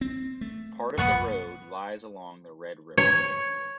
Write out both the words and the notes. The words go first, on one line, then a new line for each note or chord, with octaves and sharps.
Part of the road lies along the Red River.
C4
A3
B1 F2 A#3 B3 F#5 C#6
C#5